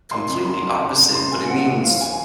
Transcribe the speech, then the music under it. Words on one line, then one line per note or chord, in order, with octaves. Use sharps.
completely opposite, but it means
F#1 C6
F#2
F#3 C6
F2
C#2
C#3
C#2 C6
C#3 G#5
F3 F#5
D#2
F3 F5
G#5